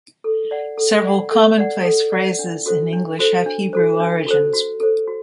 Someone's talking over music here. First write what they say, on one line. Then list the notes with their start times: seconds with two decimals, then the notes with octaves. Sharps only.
Several common-place phrases in English have Hebrew origins.
0.24 A4
0.51 D5 F#5
0.78 A4
1.04 D5 F#5
1.31 A4
1.59 D5 F#5
1.85 A4
2.12 D5 F#5
2.39 D4
2.66 F#4 A4 C5
2.93 D4
3.19 F#4 A4 C5
3.46 D4
3.73 F#4 A4 C5
4.00 D4
4.26 F#4 A4 C5
4.54 F#4
4.80 A4 C5
5.07 F#4